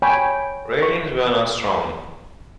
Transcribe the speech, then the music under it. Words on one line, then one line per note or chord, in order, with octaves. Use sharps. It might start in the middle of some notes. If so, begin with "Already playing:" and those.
Ratings were not strong.
C#5 G5 G#5 B5
C#6